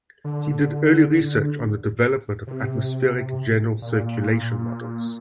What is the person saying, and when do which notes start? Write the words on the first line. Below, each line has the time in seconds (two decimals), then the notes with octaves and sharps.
He did early research on the development of atmospheric general circulation models.
0.24 D3
2.47 C3
3.82 A#2